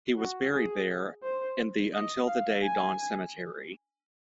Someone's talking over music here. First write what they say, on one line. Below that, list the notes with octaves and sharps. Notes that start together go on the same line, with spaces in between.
He was buried there in the Until the Day Dawn Cemetery.
F#4
G#4
C5
D#5
F5
G#5